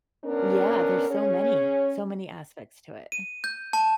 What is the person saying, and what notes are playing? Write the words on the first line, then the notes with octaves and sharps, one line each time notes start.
Yeah, there's so many. So many aspects to it.
B3 C#4 D4 A#4
C#4 G#4 C#5
D#7
G6
A5